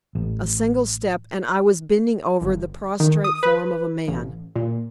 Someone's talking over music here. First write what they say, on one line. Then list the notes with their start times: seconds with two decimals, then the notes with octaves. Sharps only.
A single step, and I was bending over the prostrate form of a man.
0.15 A1
2.42 G1
3.00 D#3
3.24 D#6
3.43 B4
4.07 A1
4.56 A#2